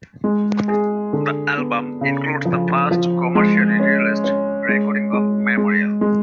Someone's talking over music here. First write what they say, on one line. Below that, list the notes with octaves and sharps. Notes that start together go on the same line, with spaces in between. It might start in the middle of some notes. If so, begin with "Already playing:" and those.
The album includes the first commercially released recording of "Memorial".
G#3
G#4
D3
B3
C#3
F3
F3
G#3
C#4
C#4
G#3
G#3
G#3
G#3